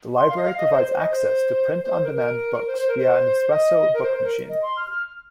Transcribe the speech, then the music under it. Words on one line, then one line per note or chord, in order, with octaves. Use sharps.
The library provides access to print on demand books via an Espresso Book Machine.
C6
F5
D#5
F5
D#5
C5
C5
D#5
C5
C5
C5
A#4
A#4
C5
C5
A#4
C5
D#5
A#4
C5
C5
A#4
D#5
C6
F6
F6